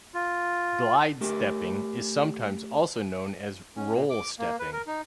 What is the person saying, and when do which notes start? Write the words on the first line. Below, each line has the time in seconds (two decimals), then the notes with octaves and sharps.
Glide stepping is sometimes also known as "roll stepping".
0.14 F4
1.21 A3 G4 A#4
3.76 C#4
3.93 A#2
4.10 D6
4.39 A#3
4.59 B4
4.72 A#4
4.87 D#4